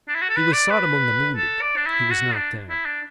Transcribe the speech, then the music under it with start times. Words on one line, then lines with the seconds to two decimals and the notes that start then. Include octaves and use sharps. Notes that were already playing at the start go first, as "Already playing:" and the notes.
He was sought among the wounded, he was not there.
0.08 D4
0.15 E4
0.22 F#4
0.29 A4
0.36 B4
0.53 D5
0.70 B4
1.36 A4
1.61 D5
1.76 D4
1.86 E4
2.11 F#4
2.36 D4
2.69 E4
2.85 D4